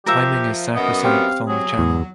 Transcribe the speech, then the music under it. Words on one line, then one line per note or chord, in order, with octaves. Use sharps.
Timing is sacrosanct on the channel.
F3 G4 A#4 E5
F#2 B3 D#5
C4 G4 F5
F#3 G#4
E2